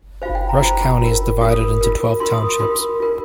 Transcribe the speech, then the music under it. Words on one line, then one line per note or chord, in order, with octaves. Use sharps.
Rush County is divided into twelve townships.
F4 C5 F5
G5
A#5
F4 C5 A#5
F4 A#4
F4 A#4 D#6
F4 A#4
F4 A#4 C6
D#6
D#6
F4 A#4 C6
F4 A#4